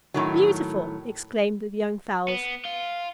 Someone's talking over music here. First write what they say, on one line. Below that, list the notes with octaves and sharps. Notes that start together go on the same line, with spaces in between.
"Beautiful!" exclaimed the young fowls.
A2 D#3 F#3
B3
F4